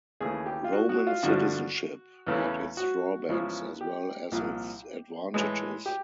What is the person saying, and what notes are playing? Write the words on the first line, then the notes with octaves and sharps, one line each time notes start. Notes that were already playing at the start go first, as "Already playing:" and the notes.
Roman citizenship had its drawbacks as well as its advantages.
D#2 C#3 E3 A3 G#4
G4
F4
F#4
F#4
F4
G2 D3 F3 A3 D4 F#4
E2 C#3 E3 A3
F#4
E2 C#3 F3 G#3
G4
C2 A#2 F3
A2 E3 G#3
G4